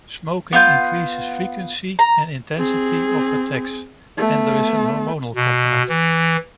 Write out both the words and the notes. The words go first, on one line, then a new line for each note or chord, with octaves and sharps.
Smoking increases frequency and intensity of attacks, and there is a hormonal component.
B3 F4 G6
A#5
C4 G#4
A3 B3
B2
E3